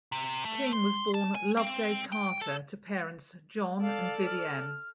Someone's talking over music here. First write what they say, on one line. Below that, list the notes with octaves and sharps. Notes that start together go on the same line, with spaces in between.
King was born Loveday Carter to parents John and Vivienne.
C3
A3
C6
A5
G#5
C4
G5
A4
A4 D5 F5
F6